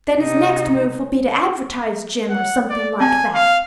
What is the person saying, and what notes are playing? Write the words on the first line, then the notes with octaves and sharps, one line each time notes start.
Then his next move will be to advertise Jim, or something like that.
C3 D#4
F#5
D5
C4 G#5 A5
F5